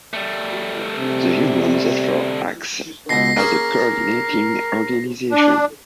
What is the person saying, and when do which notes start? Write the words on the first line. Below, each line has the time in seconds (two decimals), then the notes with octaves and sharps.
The union therefore acts as a coordinating organization.
0.13 G3 A3
0.98 C3
3.09 C#2 B2 A#6 C7
3.37 A#3 C#4 G#4 A#4
5.31 D4